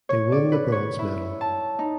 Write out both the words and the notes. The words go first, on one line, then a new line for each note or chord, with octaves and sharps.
They won the bronze medal.
C#5
D5
B4
C#5
E4
A5
D#4